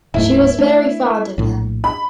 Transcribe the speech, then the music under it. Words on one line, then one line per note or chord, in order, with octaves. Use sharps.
She was very fond of them.
D1 G#2 A3 E4
A3 D4
A#1 A2
B5